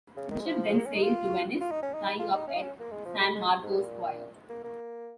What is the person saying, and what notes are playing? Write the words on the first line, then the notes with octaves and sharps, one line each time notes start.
The ship then sailed to Venice, tying up at San Marco Square.
C#3
D#3
G#3
F3
A#3
C#4
D#4
F4
F4
D#4
C#4
D#4
F4
D#4
C#4
D#4
C#4
A#3
G#3
F3
G#3
G#3
G#2
A#2
A#3
A#3